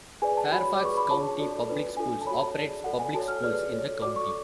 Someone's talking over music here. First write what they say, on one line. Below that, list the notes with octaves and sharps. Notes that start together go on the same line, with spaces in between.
Fairfax County Public Schools operates public schools in the county.
G#4 B4 D5 G#5
A5
F#4 C#5 B5
D6
G#4 B4 D5 C#6
B5
F4 G#4 C#5 A5
F#4 A4 D5
D4 F4 B4 D5
D4 F4 A4 G#5
A5
F#4 A4 C#5 B5
A5
G#4 D5
F#4 A4 D5 F#5
G#5
F#4 A4 C#5 A5
F6
G#4 B4 D5 F6
F4 A4 C#5
F#4 A4 D5 D6
C#6